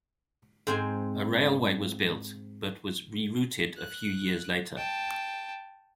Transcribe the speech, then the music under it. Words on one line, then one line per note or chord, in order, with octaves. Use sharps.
A railway was built but was re-routed a few years later.
G#2 C4 G#5
F#6
G5 A5